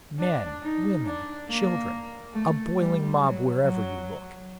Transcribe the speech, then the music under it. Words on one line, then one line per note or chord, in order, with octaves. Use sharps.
Men, women, children, a boiling mob wherever you look.
D4
D#4
D4
A#3
A3
G3
F#3
F#3